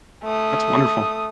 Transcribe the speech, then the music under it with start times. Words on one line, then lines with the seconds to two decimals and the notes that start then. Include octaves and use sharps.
That's wonderful.
0.24 A3 D#6